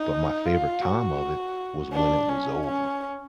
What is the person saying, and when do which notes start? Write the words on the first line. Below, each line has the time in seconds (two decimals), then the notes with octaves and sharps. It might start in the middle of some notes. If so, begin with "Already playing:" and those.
but my favorite time of it was when it was over,
Already playing: D#4
0.46 F4
0.82 F#4
1.92 D4
2.29 C#4
2.67 C#4